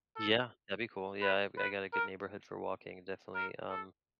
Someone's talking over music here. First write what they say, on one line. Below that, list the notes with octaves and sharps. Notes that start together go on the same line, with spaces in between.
Yeah. That'd be cool, yeah. I g I got a good neighborhood for walking, definitely, um
A4
B4
B4
A#4
A#4
A4